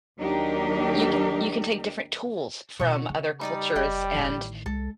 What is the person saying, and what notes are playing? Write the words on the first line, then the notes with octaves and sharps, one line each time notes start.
you c you can take different tools from other cultures, and
D#2 F#3 D4 D#4 G4 A#4
B2 F4 F#5 C#6
C#3
G3 D#4 D5 D#6
F1 G4 D#5 B5
A1 D#3
C2 G#3 A4